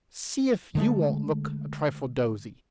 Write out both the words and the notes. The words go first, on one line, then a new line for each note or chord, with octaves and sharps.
See if you won't look a trifle dozy.
D3 G#3 A3